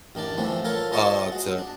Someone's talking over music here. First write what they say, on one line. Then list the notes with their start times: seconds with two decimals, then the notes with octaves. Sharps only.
uh, to
0.15 A1 D#3 D4 D5
0.38 A2 D3 E3 F3 A3 C4
0.64 F4 A4 A#4 C#5
0.92 G#3 F4 C5 D#5 A5 C#6
1.32 G#3 F#4
1.58 D4